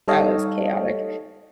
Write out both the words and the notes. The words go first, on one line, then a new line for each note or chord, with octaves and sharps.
That was chaotic.
G3 D#4 A4 C#5 D#5 F5